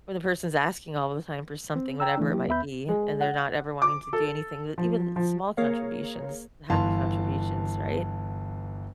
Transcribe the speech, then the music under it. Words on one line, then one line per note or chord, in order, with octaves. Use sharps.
Or the person's asking all of the time for something, whatever it might be, and they're not ever wanting to do anything that even small contributions, happy contributions, right?
C4
G5 A#5 E6
E3 A3 D4
F#3 A#3 E4 G4
D#2 B3 E5 B5 G6
G#3
F#5
D6
A4
F3
F3
A#3 G#4 A#4 C#5 F5
G1 E3 F5 A5 C6